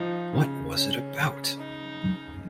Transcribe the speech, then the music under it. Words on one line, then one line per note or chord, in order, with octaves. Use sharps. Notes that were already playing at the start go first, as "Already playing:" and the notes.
What was it about?
Already playing: F3 D#4
C#3
C#4
D#4